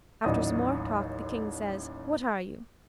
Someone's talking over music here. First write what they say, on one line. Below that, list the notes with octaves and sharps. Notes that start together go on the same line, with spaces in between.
After some more talk the king says, "What are you?"
A1 D#2 F#3 D5 D#5 D#6